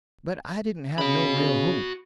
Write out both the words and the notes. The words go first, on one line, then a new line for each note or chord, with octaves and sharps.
But I didn't have no real hope.
C#3 F#4 B5